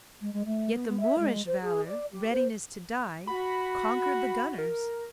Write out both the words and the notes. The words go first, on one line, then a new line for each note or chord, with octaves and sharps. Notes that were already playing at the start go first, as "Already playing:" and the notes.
Yet the Moorish valour, readiness to die, conquered the gunners.
G#3
G#3
A3
B3
B3
E5
G#3
C5
G#4
D5
G4
C5
F#4 B5
A#4